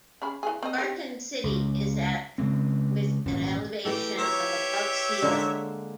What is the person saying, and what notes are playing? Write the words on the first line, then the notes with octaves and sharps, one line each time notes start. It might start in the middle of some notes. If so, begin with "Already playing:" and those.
Barton City is at with an elevation of above sea level.
C#4 G#4 B5
E3 G#4
C4 D#5
C4 G4
C#2
C#3 G#3 C4
D#1 G#1 E3 C#4
E3 A3 G4 A4
G4 A#4 C#5 E5
D3 G#3 A#3